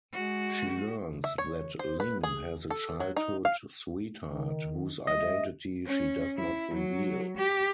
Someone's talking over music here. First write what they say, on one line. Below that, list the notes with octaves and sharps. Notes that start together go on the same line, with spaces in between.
She learns that Ling has a childhood sweetheart, whose identity she does not reveal.
G#3 F#4
E5
C#5
C5
B4
G#4
A4
F#3
D#4
F5
D#3
G3 D#5 E5
C#4
E4
F#3
G4